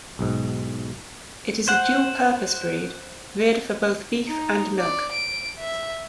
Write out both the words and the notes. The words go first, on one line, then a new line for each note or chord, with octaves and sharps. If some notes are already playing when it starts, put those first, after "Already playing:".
It is a dual-purpose breed, reared for both beef and milk.
B1 G#2
C5 F#5
D#4
D5
D7
E5